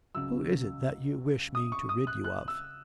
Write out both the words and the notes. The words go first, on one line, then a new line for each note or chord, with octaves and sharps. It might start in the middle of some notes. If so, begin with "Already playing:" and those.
Who is it that you wish me to rid you of?'
C#2 C#3 F#3 E6
D#6
C#6
D#6
F#6
F#6
E6